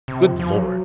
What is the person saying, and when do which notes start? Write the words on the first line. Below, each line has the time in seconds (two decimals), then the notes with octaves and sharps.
Good Lord!
0.08 C3
0.24 F3
0.40 F3
0.55 F#3